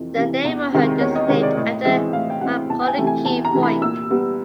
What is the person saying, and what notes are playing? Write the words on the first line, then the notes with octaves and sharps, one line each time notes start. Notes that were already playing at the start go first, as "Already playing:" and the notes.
The neighborhood is named after Makonikey point.
Already playing: F2 C3 E3
C3 E3
E2
C3 D#3 G#3 C4
E2 C#5
D#5
C3 D#3 G#3 C4 C#5
D5
A2 D#5
E3 G#3 C4 E5
A2 F5
G5
E3 G#3 C4 F#5
E2 A5
G5
G#5
C3 E3 A3
G#5
E2 A5
A#5
C3 E3 A3
B5
A#2 E6
G3 B3